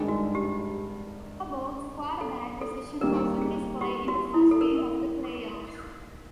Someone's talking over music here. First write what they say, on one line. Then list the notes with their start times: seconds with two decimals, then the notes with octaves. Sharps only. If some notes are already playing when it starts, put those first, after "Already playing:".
Harbaugh's quarterback decision was on display in the first game of the playoffs.
Already playing: G#1 G2 D#3 G#3
0.08 F#4
0.35 G4
2.21 A4
2.61 A4
3.01 D#2 D#3 G3 A#3 A#4
3.41 G#4
3.81 G4
4.08 F#4
4.34 E4
4.51 A4
4.61 A#4